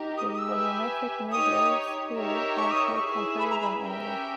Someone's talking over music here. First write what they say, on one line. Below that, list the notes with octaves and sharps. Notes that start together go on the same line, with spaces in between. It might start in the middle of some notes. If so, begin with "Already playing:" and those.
The volumetric measures here are for comparison only.
Already playing: D#4 G4 A#4
D#6
D#6
E6
G4 B4 E5 G#5
D#4 G4 C#5 D#6
D#4 G4 A#4 C#5 E5
C#6
D#6
C#6
E4 G#4 B4 E5
B5
A#5
B5
C#4 G4 A#4 E5 G5